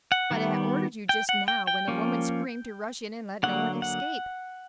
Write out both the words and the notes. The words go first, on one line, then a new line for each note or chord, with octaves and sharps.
"But I ordered you just now, when the woman screamed, to rush in and let no one escape."
F#5
D#3 G3 B3
G5
F#5
G5
G5
F3 A#3 C#4
D3 F#3 A#3 F#5
F#5